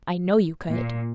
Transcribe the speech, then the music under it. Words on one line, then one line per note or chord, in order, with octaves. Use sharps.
"I know you could."
A#2